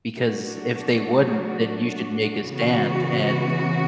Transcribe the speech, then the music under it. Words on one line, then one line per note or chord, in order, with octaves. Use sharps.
Because if they wouldn't, then you should make a stand and
F#3 A3 D4 F#4
C#3 E3 B3 F#4